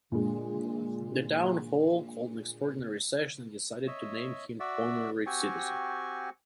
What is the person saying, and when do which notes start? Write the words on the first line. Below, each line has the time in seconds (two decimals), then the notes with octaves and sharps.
The Town Hall called an extraordinary session and decided to name him Honorary Citizen.
0.12 A#2 D3 G#3
3.87 C#5 D#5 E5
4.60 F#4 D5 E5
5.26 C4 F#4 G4 G#5 C#6